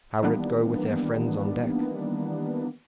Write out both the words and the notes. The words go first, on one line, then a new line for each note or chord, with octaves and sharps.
How would it go with their friends on deck?
D#3 E3 G3 A#3 B3 D4